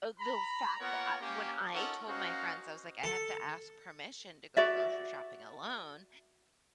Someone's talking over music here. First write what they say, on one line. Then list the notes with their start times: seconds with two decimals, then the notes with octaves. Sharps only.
uh, the fact that I when I told my friends, I was like, "I have to ask permission to go grocery shopping alone."
0.19 A#5 B5
0.80 A#3 B3 F4 A#4 C#5 F#5
1.20 A#3 C#4 G4
1.73 C#4 D#4 F4 A4 A#4 F#5
2.07 A#3 C#4 D#4 F#4 C5 F5
3.04 A4
4.57 F#4 D5 E5